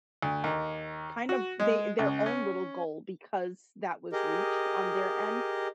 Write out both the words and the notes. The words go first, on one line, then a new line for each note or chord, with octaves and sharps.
kind of, they their own little goal because that was reached on their end,
D2
D#2
F#4
G#3
C#2
C#4
G4 G#4 A#4 D#5